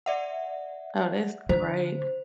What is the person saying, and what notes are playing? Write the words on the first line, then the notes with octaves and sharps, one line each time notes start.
Oh, that's great.
D5 E5 F#5
D3 C5